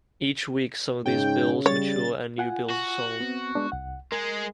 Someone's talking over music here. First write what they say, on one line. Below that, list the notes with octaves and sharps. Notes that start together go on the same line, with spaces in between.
Each week, some of these bills mature, and new bills are sold.
G#2 C#3 D#4 G5
G3 C#5 A6
F4 F#5 G#5
F#4
B3 C4
G#3 B3 D4
C2 F#5
G#3 G#4 A#4